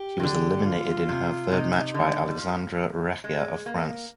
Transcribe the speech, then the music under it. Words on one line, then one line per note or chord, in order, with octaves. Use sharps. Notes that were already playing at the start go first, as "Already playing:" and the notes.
She was eliminated in her third match by Alexandra Recchia of France.
Already playing: G4
D#3
D3
F4
C3
C3 D#4
D3
G3
F3
G#3
A#3